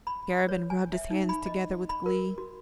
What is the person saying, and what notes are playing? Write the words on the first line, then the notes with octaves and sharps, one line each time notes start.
Garabin rubbed his hands together with glee.
B5
C#5
G#5
E5
D#4
B5
D#5
B5
A#4
F#4